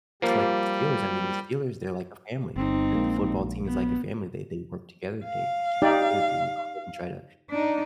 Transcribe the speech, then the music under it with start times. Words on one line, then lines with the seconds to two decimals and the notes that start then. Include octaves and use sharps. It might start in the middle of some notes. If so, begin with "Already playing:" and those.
it's like the Steelers. I mean, the Steelers, they're like a family, the the football team is like a family, they they work together, they they strive together, they work hard and try to,
0.22 F3 G3 A#3
2.56 G1 C4 D#4
2.95 A#1 G#3 A#3
3.66 B3
5.25 F5
5.82 D#4 G4 D5
7.51 D4 D#4